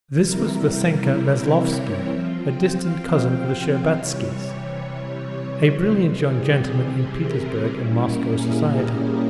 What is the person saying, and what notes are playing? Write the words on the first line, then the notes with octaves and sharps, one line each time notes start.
This was Vassenka Veslovsky, a distant cousin of the Shtcherbatskys, a brilliant young gentleman in Petersburg and Moscow society.
C3 E3 G3 C4 E4 A#4
A#4
C#5
F3 C4 F4 E5
G5
F5
C3 E3 G3 C#5
C3 E3 G3 C4 C5
G#4
G4
G#4
A#4
A#2 G3 A#3 C#4 E4 G#4
A#4
G#4
G4